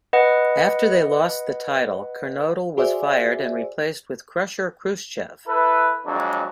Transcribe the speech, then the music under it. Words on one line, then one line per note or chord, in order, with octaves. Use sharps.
After they lost the title, Kernodle was fired and replaced with Krusher Khruschev.
B4 D#5 F#5
F#4 G#4 C5 D5 E5
E4 A4 B4
F2 F#3 G#3 D4